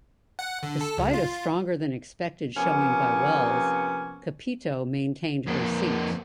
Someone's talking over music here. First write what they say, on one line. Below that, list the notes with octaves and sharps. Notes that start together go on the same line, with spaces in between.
Despite a stronger than expected showing by Wells, Capito maintained her seat.
F#5
D3
A4
C#2
F4
C3 F3 A#3 B3 C#4
F2 A#3